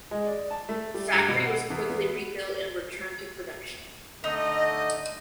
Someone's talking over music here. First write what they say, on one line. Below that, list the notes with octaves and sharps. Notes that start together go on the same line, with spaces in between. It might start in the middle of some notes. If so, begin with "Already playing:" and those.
The factory was quickly rebuilt and returned to production.
G#3
D5
A5
A3
G3
G2
B2
F#5
E2
B3
D3 A3 D#4 D#5